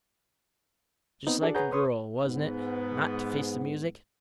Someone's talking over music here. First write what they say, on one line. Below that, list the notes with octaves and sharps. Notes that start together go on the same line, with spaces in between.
Just like a girl, wasn't it--not to face the music?
B3 C4 D#4
D4 F#4 G#4 A4 D5
G#4 B4 C#5 F#5 A#5 G6
B4 C#5 C6 C#6 D#6
G#2 B3